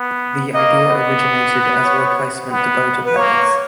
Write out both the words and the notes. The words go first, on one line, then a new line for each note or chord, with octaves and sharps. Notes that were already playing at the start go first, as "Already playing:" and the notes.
The idea originated as a replacement to bota bags.
Already playing: B3
A#3 D#5
B3
C#5
B3
B4
A#3 C#5